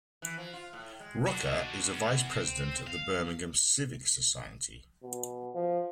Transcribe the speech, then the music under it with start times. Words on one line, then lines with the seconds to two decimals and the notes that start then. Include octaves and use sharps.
Rooker is a vice president of The Birmingham Civic Society.
0.22 E3
0.38 F3
0.53 F4
0.73 A2
1.00 G#3
1.28 D4 F#4
1.91 E2
2.31 C4
2.87 F5
5.03 B2
5.54 F3